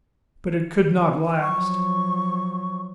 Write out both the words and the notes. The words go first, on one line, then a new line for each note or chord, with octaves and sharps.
But it could not last.
F3 F#3 C#6